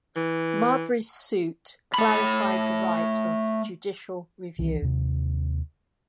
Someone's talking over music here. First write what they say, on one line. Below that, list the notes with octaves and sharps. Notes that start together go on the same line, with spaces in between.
Marbury's suit clarified the right of judicial review.
E3
A3 B5
C2 D#3 E3
D#2 C3